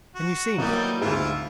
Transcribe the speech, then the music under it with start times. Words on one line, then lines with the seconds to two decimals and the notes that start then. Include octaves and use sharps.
"Can you see me?"
0.15 F#4
0.58 E3 F#3 G3 A#3 D#4
1.01 D2 G#2 E4 F4